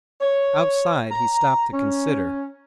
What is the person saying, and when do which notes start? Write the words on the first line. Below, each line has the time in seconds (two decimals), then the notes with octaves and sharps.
Outside, he stopped to consider.
0.21 C#5
1.11 A#5
1.72 C#4